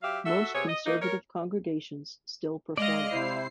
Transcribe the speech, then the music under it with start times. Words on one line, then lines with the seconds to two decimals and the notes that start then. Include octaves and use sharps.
Most Conservative congregations still perform it.
0.03 F#3 G4 E5 F5
0.25 F#4 A4 E5
0.54 C3 B3 G#4 C#5
0.67 D#5
0.85 A#3 D#4
1.01 A#4 C#5
2.77 G#3 D5 D#5 F5 A#6
3.12 C3 E4 C5 C7